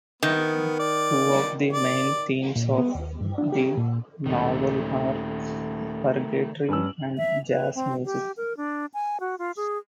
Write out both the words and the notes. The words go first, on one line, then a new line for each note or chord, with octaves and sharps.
Two of the main themes of the novel are purgatory and jazz music.
D#3 B3
D5
D5
A#2
B3
D#2
G2
D4
G4
A#2
D#1 D#3 A3
G2 C#4 E6
E5
B4
C4
G4
A#4
D4
G#5
F#4
F4
G#4